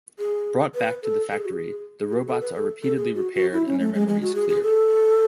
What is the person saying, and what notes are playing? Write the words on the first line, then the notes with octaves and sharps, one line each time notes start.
Brought back to the factory the robots are repeatedly repaired and their memories cleared.
G#4
B4
A4
A4
G#4
F#4
G#4
G#4
F#4
A4
B4
A4
A4
G#4
F#4
F#4
E4
C#4
A3
G#3
G#3
F#4
G#4
G#4
A4